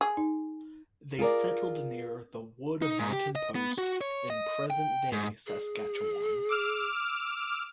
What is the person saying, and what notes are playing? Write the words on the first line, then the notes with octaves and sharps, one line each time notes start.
They settled near the Wood Mountain post in present-day Saskatchewan.
G#4
D#4
F4 G#4 A#4 D5
D#4
G#2
G4
D#5
B3
F#4
C#5
D#5
G5
G#2
G#4
D6 E6 F6